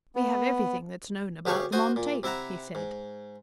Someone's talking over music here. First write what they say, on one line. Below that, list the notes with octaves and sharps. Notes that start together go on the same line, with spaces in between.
"We have everything that's known about them on tape," he said.
B3
D2 G4 G#4 C#5 F5 C#6
F#4 C5 F#5 G#5 D#6
A#2
C3 E4 E5 F#5 A#5
G#2